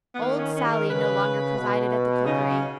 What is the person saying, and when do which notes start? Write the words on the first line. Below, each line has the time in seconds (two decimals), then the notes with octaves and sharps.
Old Sally no longer presided at the cookery.
0.15 B3
0.21 D#3 A#3
0.38 C#4
0.56 C#4
0.67 G#4
0.73 A#4
0.90 C#3 B4
1.57 B2
2.25 C#3 D#4
2.49 C#4